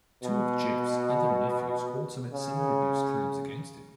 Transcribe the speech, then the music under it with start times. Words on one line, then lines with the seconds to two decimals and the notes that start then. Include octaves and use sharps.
Two of Jeffs' other nephews also made similar abuse claims against him.
0.23 B2
2.33 C#3